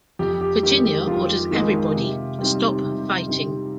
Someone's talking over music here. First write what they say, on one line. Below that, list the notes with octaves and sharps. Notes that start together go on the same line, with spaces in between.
Virginia orders everybody to stop fighting.
F2 G4
G4
D#3 G#3 D#4 G4
G4
F2 F4
D#3 G#3 D#4
C3
G3 C4 D#4
C3
G3 C4 D#4